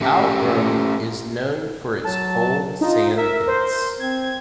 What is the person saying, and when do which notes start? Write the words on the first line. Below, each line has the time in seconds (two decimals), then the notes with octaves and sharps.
Outram is known for its cold sandpits.
0.01 A3 C#4 G4 E5 F5 G5
2.04 F#3 A5
2.81 D#4 F4
3.17 A#4 E5
3.47 C5
4.00 C4 G#6